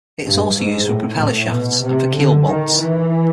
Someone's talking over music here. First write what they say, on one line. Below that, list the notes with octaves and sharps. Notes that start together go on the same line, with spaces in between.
It is also used for propeller shafts and for keel bolts.
G2
G#2
A2
A2
B2
C3
D3
D#3
E3